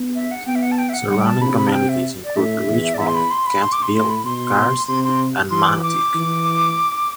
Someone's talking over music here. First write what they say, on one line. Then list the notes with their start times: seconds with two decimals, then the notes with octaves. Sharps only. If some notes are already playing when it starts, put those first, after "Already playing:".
Surrounding communities include Richmond, Kemptville, Kars and Manotick.
Already playing: B3
0.15 E5
0.31 F#5
0.47 B3 G5
0.55 E5
0.62 F#5
0.72 A5
0.78 G5
0.89 E5
0.94 F#5
1.10 G3 F#5
1.21 G5
1.26 A5
1.41 C3 B5
1.57 B5
1.67 A5
1.73 G5
1.89 E5
2.24 D5
2.36 A2 E5
2.68 E2
2.94 D5
2.99 E2 E5
3.07 C6
3.15 B5
3.31 C6
3.46 B5
3.62 C6
3.72 D6
3.83 C6
3.93 A2 C6
4.09 B5
4.24 B2 C6
4.88 C3 C6
5.04 C6
5.51 E3 C6
5.67 D6
5.82 D6
6.15 E3